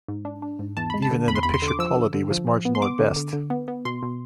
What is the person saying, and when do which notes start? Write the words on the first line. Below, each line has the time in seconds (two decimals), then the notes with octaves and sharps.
Even then, the picture quality was marginal at best.
0.08 G#2
0.25 D4
0.42 D4
0.59 G#2
0.77 E2 A5
0.90 G#3 B5
1.02 A5
1.11 D3
1.28 E2 B5
1.35 C6
1.43 E2 B5
1.54 C6
1.62 D3
1.68 D6
1.79 F3 E6
1.96 D3
2.14 D3
2.31 F3
2.47 F3
2.65 B3
2.75 C6
2.82 B3 D6
2.99 D3
3.16 D3
3.33 D3
3.50 B3
3.68 B3
3.85 B2 C6
4.02 B2